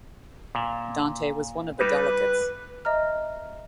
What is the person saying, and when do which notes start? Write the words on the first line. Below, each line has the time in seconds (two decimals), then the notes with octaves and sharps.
Dante was one of the delegates.
0.55 A#2
1.79 G3 D#4 B4
2.85 D#5 E5 A#5 F6